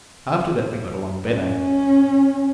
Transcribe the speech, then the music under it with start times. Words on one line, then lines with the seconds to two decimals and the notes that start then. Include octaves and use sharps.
After that we got along better.
1.32 C#4